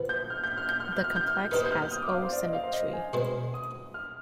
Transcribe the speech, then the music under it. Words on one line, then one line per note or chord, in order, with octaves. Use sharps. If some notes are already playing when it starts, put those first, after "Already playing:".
The complex has O symmetry.
Already playing: F3 B3
G6
F6
G6
F6
G6
F6
G6
F6
G6
F6
B3 D#4 G4 C5 D#6
G6
F6
F6
D#6
D6
F5
C5
D5
D#5
F5
C5
D#5
G#5
B2 G#3 C4
D#6
F6